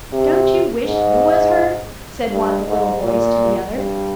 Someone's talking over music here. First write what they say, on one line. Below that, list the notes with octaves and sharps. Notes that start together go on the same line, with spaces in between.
'Don't you wish you was her?' said one of the little boys to the other.
C3
G#2
G2
G#2
A#2
G2